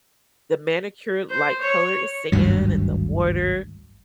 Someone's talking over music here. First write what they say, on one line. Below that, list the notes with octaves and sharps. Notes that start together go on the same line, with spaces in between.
the manicure-like color sand and the water,
C5
C#5
G#1 D2 G2 F#3